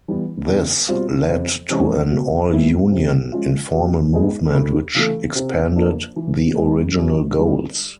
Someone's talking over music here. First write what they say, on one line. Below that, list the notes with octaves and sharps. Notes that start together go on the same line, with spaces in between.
This led to an all-Union informal movement which expanded the original goals.
E3 G3 B3
E2
B2 G3 C4 F4
F2
C3 E3 G#3 C#4
B2
G#3 B3 E4
C3
F3 G#3 C#4 F4
B2
G#3 B3 D#4 G#4
D2
C#3 E3 A3
C3
F3 A#3 D4
E3
G#3 B3
F#2
D3 G3